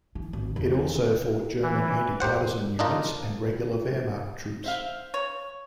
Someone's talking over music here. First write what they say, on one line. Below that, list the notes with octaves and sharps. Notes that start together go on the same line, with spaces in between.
It also fought German anti-partisan units and regular Wehrmacht troops.
E3
G#1
F1
F2
E3
A#3 G4 C5 F#5
D4 D#4 F4 A#4
C5 E5 F5
C#5